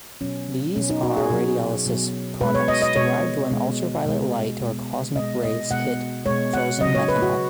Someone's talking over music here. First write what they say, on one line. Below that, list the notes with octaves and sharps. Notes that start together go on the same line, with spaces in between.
These are radiolysis products derived when ultraviolet light or cosmic rays hit frozen methanol.
B2 F#3 C#4
B2 F#3 C#4
D#4
F#4
G#4
B2 F#3
B2 F#3
B2 G#3 B4
C#5
D#5
D#5
B2 G#3 C#5
B2 G#3
B2 G#3
B2 G#3
B2 G#3 D#5
D#5
B2 G#3 F#5
B2 G#3 C#5
F#5
C#3 F#3 D#5
C#5
B4
F#4